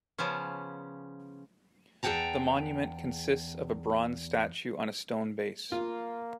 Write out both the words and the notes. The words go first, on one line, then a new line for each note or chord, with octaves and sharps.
The monument consists of a bronze statue on a stone base.
C#3 F3 B3 C#4
E2 G#4 F#5 G5 A5 A#5
A#3 F4